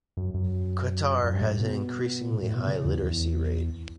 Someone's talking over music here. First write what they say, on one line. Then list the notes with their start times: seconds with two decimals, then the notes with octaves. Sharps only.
Qatar has an increasingly high literacy rate.
0.17 F#2
0.34 F#2
1.24 F#2
1.33 G2
1.41 A2
1.51 G2
1.60 B2
2.30 A2
2.43 A2
2.55 B2
2.67 C#3
2.85 E2
3.02 E2